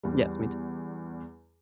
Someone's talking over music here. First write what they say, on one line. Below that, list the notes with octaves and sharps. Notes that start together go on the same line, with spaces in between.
Yes, me too.
E2 G3